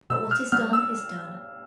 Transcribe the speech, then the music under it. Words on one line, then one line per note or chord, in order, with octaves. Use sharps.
But what is done is done!
B2 E6
F6
G3 B3 F6
E6